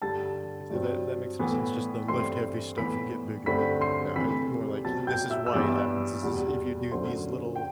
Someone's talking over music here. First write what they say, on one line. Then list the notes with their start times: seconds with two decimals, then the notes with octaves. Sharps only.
If th that, that makes any sense, just the "Lift heavy stuff, get bigger." No, it's more, like, "This is why it happens; this is if you do these little
0.02 G2 D3 G3 A5 A6
0.70 G2 F#3 C4
1.39 A2 E3 B3
2.08 G2 E3 A3 C4 C6 C7
2.77 A2 E3 B3 B5 B6
3.46 G2 D3 A3 C4 B5 B6
3.81 C6 C7
4.16 C3 E3 A3 B5 B6
4.84 B2 F#3 C4 A5 A6
5.07 G5 G6
5.30 E5 E6
5.46 E6
5.53 G2 E3 B3 D5 D6
6.23 E2 B2 G3
6.92 F#2 D3 F#3 A3 C5 C6
7.55 G5